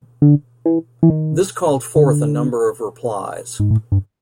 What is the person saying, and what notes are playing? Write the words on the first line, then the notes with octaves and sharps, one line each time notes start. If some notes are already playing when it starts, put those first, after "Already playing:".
This called forth a number of replies.
D3
E3
E3
D#3
D3
G#2
A2
G2